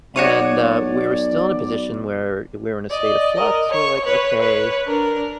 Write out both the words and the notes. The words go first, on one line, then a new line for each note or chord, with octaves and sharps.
and, uh, we were still in a position where we were in a state of flux. We're, like, "Okay.”
B1 F#4 C#5 D5 D#6
D5 D#5
A#4 D#5
C#5 C#6
B4 C#5
B4 C#5
D4 A#4